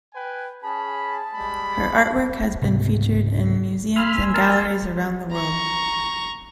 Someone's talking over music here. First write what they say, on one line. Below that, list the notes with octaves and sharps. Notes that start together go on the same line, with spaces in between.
Her artwork has been featured in museums and galleries around the world.
B4 G5 G#5
C#4 G#4 A5 B5
G3 G#3 B5
C#2 G#2 C3 B3
G#5 B5 C6 E6 F6
A#4 A5
A#5 C#6